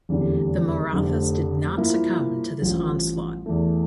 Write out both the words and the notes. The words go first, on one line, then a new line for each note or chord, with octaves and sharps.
The Marathas did not succumb to this onslaught.
F1 E2 D3 G3
F1 F2 D3 A3 D4
G2 F3 A#3 E4
A1 G2 F3
E2 E3 A3